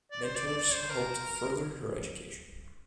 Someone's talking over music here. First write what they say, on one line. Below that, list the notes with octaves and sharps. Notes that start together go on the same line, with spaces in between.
Mentors helped further her education.
D5
C5
D5
D5
D5
C5
A#4